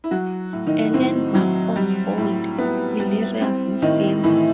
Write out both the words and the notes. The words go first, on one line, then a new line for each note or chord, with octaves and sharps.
A landmark of bold, hilarious filth.
E4
F#3 F#4
A2
D#3 D#4
A2 C4
F#3
G3
A2
A2 B3
G3
G3 C4
A2 D#3 D#4
A2 E3 E4